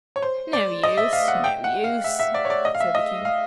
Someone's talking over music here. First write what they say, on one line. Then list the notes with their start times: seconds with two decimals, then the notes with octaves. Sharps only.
'No use, no use!' said the King.
0.16 C#5
0.22 C5
0.53 D5
0.83 D#5
0.97 E5
1.13 F5
1.28 F#5
1.44 G5
1.64 F#5
1.84 F5
2.04 E5
2.19 E5
2.34 D5
2.45 C#5
2.50 D5
2.65 D#5
2.75 F5
2.80 E5
2.95 D#5
3.25 F5